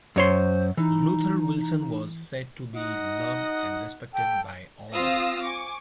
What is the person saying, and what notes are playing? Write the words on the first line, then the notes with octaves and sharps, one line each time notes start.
Luther Wilson was said to be loved and respected by all.
F#2 C5 C#5 C6
E3 D#4
D#4 F#4 D#5 F#5
A4 G5
C4 F4 F5 D#6 E6 A#6
G#5 C#6 D6